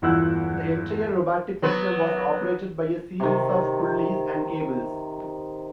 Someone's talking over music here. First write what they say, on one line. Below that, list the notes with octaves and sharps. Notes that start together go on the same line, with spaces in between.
The entire robotic system was operated by a series of pulleys and cables.
G1 E2 A#2 E4 E6 F#6
F#3 B3 B4
C3 D#3